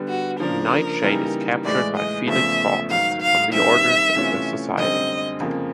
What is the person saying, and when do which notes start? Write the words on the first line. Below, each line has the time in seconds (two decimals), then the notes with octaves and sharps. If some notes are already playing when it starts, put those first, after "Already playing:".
Nightshade is captured by Felix Faust on the orders of the Society.
Already playing: D3 G3 B3
0.08 F#4
0.40 C#3 F3 A#3 D4 A#4
1.03 C#3 E3 G3 A#3 D#4
1.65 A2 E3 G#3 D5
1.96 D#5
2.27 E2 C#3 F3 A3 E5
2.90 G#2 D#3 F#3 F5
3.22 F5
3.52 G2 D#3 G3 C4 E5
4.15 C3 E3 A3 C#4 F4
4.77 F#2 D3 G3 C4 D#5
5.40 F2 C#3 F3 A#3